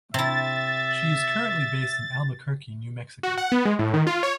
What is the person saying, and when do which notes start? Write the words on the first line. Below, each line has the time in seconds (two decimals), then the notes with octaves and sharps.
She is currently based in Albuquerque, New Mexico.
0.14 C3 E4 E5 A6
3.23 F#4
3.38 F#5
3.52 B3
3.65 G#3
3.79 A2
3.94 D#3
4.07 F4
4.23 C#5